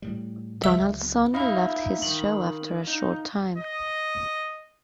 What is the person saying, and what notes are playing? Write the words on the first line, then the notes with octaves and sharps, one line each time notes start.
Donaldson left his show after a short time.
A2 G3
C#2 C#3 F#3 E5
D#4 E5 F5 B5 D#6
D#3 F#7
D#4
D#5